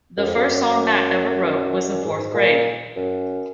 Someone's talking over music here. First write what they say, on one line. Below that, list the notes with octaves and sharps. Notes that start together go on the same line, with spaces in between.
The first song Matt ever wrote was in fourth grade.
F#2
F2
F#2
G#2
A#2
F#2